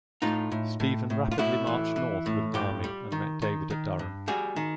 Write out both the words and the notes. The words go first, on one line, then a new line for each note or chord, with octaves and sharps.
Stephen rapidly marched north with an army and met David at Durham.
A2 D#4 F4
A2
A2
A2
F4
A2 E4 F#4
E3
E3
A2
G2 F4 G4
G3
D#3
D#3
D#3
G2
G3 F#4 G#4
D#3